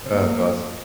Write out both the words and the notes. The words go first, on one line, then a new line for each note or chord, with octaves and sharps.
Oh, that's awesome.
A#3